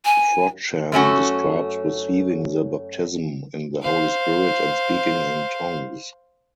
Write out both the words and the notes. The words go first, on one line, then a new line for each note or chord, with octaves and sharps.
Frodsham describes receiving the baptism in the Holy Spirit and speaking in tongues.
G#5
F#2 A3 C#4 F#4
C5 F5